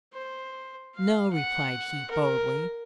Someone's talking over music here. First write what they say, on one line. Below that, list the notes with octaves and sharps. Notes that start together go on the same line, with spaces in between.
'No,' replied he, boldly.
C5
F5
F#5
A#4